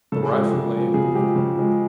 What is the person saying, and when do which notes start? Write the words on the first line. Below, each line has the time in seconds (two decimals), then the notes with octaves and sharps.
The rifle lay immovable.
0.12 C#3 A4
0.23 G#4
0.32 F3 G#3 G4 A4
0.54 C#3
0.74 F3 G#3
0.94 C#3 G#4
1.14 F3 G#3 G4
1.36 C#3
1.56 F3 G#3